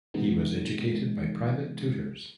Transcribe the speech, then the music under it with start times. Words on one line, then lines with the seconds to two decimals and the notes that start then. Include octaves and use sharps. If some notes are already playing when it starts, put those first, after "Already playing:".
He was educated by private tutors.
0.14 C3 E3 G#3 B3 D#4